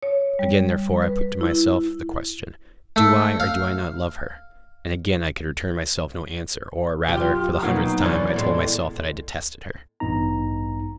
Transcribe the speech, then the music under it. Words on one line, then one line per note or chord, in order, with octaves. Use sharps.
Again, therefore, I put to myself the question: "Do I, or do I not love her?" and again I could return myself no answer or, rather, for the hundredth time I told myself that I detested her.
C#5
G3
B4
E4
A3
F5
F#2 F4 G4
B2 F#3 A#3 D#4
F#2 E3 C#4 D5
E2 A2 G#3
A1 G2 B3 D#4 A#5